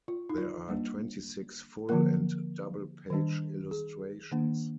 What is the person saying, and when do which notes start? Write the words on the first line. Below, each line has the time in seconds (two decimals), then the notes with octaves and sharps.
There are twenty-six full and double page illustrations.
0.08 F4
0.29 D#4
0.38 F4
0.68 G3 A#3 D4
1.89 D3 F3 A#3 A#4
3.10 D#3 G3 D4
3.71 G#4
4.31 D#3 A#3 D4